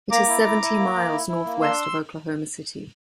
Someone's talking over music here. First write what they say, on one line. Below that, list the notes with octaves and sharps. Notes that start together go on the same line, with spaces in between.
It is seventy miles northwest of Oklahoma City.
A#3 A#5 D6
E4
E4
E4
A#3
A#3
E4
E4
A#3
D4 C6 E6